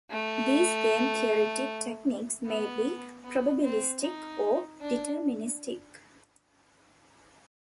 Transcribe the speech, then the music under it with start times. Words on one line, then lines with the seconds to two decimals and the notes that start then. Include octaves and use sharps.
These game-theoretic techniques may be probabilistic or deterministic.
0.11 A3
2.46 B3
3.24 B3
3.63 C4
4.01 D#4
4.81 D4